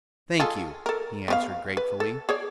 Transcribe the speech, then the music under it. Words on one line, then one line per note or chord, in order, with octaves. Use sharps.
"Thank you," he answered gratefully.
F4 G#4 A4
A4 A#4
B3 C4 F5
B4
A4
G#4 C#5 D5